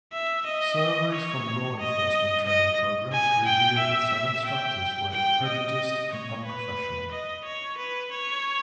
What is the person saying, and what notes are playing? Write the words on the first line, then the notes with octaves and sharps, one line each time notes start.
Surveys from law enforcement training programs reveal that some instructors were prejudiced and unprofessional.
E5
D#5
C#5
D#5
D#5
G#5
G5
E5
G5
G5
D#5
C#5
B4
D#5
C#5
B4
C#5